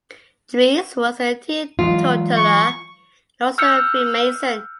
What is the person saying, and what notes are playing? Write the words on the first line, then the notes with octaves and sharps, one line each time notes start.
Drees was a Teetotaler, and also a Freemason.
E3 F#3 G#3 F4
C#6
E6 F6 G6 C#7